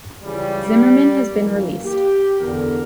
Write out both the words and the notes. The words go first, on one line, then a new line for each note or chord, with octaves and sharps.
Zimmermann has been released.
C#2 C#3 E3 G3
F#2 E3 A#3
G4
E2 D3 A#4